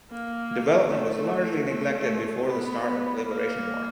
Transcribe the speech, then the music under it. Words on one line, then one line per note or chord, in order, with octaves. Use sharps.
Development was largely neglected before the start of the liberation war.
A#3
A3
A3
B3
B3
A#3